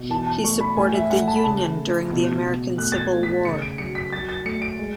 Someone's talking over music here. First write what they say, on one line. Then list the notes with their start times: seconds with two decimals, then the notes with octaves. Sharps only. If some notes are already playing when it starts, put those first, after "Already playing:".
He supported the Union during the American Civil War.
Already playing: B2
0.10 E3 A5
0.27 A5
0.44 A3 C#6
0.61 B5
0.77 A2 G#5
0.94 E5
1.10 A3 F#5
1.28 A5
1.36 B5
1.44 C#3 A5
1.77 A3
2.11 B2
2.45 B2
2.77 A3 F#6
2.92 A6
3.00 G#6
3.12 A3
3.23 B6
3.45 C#3 C#7
3.62 D7
3.78 F#3 C#7
3.95 B6
4.12 F#3 A6
4.29 A6
4.45 A3 C#7
4.62 D7
4.79 G#3